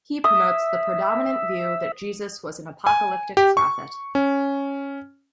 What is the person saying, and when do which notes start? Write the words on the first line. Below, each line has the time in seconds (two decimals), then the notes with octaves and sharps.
He promotes the predominant view that Jesus was an apocalyptic prophet.
0.24 E5 D#6
2.87 G#5
3.37 G4
3.57 C#6
4.15 C#4